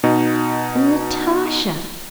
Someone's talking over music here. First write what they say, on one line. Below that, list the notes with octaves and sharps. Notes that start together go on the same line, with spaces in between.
And Natasha!
B2 D#4